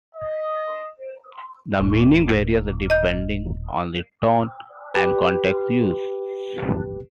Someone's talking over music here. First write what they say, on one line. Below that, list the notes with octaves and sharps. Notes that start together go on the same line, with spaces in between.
The meaning varies depending on the tone and context used.
D#5
D#1 A2
D#5 G6
G4 B4